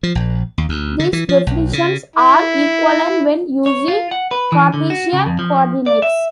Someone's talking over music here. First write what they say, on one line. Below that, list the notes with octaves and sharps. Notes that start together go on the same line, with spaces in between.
These definitions are equivalent when using Cartesian coordinates.
F3
A#1
D#2
D2
D3
E3
F3
B1
C#3
E4
C#5
F4
F#5
B4
E3
D3
F#4
C#3
F2
F3
D5
E5